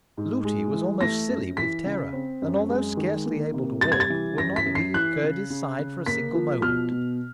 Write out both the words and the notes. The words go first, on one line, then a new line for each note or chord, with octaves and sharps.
Lootie was almost silly with terror, and, although scarcely able to walk would not leave Curdie's side for a single moment.
G#2
G#3
E3
A3 A#6
F#2
E3 B6
C#3
C4
F#2
G#3
D#3
A#3
C3
G3 A6
G#6
A6
E3
F#2 A#6
B6
F#2
C7
E3 F#6
C#3
C#3
C#3
A#3 B6
F3
B2 F6
B2